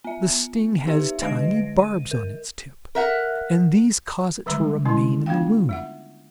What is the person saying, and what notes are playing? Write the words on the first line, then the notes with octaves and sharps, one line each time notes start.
The sting has tiny barbs on its tip, and these cause it to remain in the wound.
B3 E5
D#4 G4 B4 E5
D3 G#3 B4 D#5 A#6 D7
D#7
A#4
A#4 E5 F#5
D3 D#3 G3 G#3 E5 A#5
D3 G#3 C#4 E4
B3 D4 F4 F5 G5
A3 E5 F#5